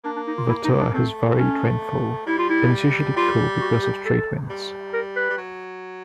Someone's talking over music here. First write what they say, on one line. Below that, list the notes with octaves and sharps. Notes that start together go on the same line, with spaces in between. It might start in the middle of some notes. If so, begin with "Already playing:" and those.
Vatoa has varied rainfall and is usually cool because of trade winds.
A#3 D4
D4
D#4
F4
E4
D#4
D4
A3 C4
C#4
G3 E4
F4
E4
G3 F4
F#4
G4
A4
G3
A#4
B4
G3
F#3